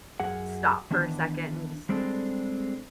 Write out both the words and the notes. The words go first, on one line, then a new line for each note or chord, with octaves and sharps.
stop for a second and just
F#2 G#4 F#5
D#3 E3 B3 D4
G3 G#3 C4 D4 G#4 A4